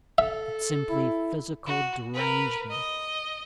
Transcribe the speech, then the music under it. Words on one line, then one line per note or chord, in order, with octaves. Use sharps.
It's simply physical derangement.
A4 E5
E4
F#4
A#4 B4
D#5